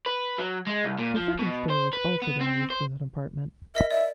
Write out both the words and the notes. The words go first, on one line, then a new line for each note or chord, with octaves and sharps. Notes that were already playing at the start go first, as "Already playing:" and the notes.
The second story has also been used as an apartment.
B4
F#3
G#3
C2
A#2
F3
B2
C5
B4
B3
C4
C5
A#4 D#5 E5 B6
D5 E5